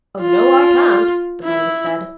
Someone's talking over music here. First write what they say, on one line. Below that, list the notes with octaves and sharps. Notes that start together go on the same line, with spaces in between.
"Oh, no, I can't!" the bunny said.
F4
E4